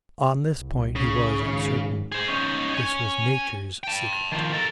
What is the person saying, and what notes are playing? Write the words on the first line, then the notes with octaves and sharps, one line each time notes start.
On this point he was uncertain, this was nature's secret.
C2
C#3
G#1
G#4 C5
C#4 D#4
C#5 G#5
G5 A5
D#3 F3
A4 A#4